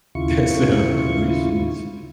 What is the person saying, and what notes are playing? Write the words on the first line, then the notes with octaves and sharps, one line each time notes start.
that sounds delicious.
D#2 C#3 E4 F4 C#6